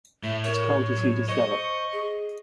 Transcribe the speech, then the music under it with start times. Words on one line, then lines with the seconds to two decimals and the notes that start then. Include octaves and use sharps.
Its county seat is Gallup.
0.23 A2 E5
0.44 A#4 C#5
0.96 F#3
1.29 C5 D#5 C#6
1.92 G#4